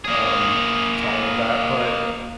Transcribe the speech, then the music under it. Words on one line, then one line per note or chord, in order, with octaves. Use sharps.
um, to all of that, but
A#3 G#4